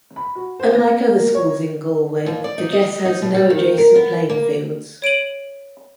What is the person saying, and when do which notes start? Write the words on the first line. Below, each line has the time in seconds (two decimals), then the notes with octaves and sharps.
Unlike other schools in Galway, the Jes has no adjacent playing fields.
0.16 B5
0.35 F#4
0.59 C5
0.75 A#6
1.15 A#3
1.35 C#5
2.26 D#2
2.44 D5
2.58 D#4
2.72 D#5
3.05 D#4
3.22 B2
3.34 G3
3.50 D#3
3.78 A#4
3.95 B3
4.29 A#3
5.02 C#5 D7 D#7 F#7